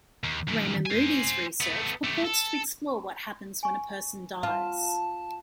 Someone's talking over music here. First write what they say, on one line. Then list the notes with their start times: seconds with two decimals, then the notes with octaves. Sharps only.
Raymond Moody's research purports to explore what happens when a person dies.
0.24 D#2
0.48 F#2 D#3
0.86 C5 G#5
1.61 A3 B3
2.04 A3 G4
2.25 A4
3.63 G#5 C#6
4.43 F4 A5